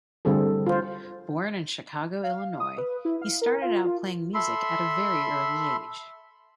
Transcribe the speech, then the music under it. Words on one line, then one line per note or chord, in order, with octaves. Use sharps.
Born in Chicago, Illinois, he started out playing music at a very early age.
D3 G3 C4 G#4 A4
F4 C5
F5
D#6
B4
E4
F5
A#4
F4
F4
A4 E5 B5 C6